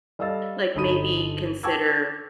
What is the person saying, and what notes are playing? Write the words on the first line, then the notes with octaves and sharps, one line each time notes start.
like maybe consider,
G3 A4 D#5 F5 E6 A6
G1 D#4 A4 B5 D#6 D#7
G5 A5 C#6 D6 E6 G#6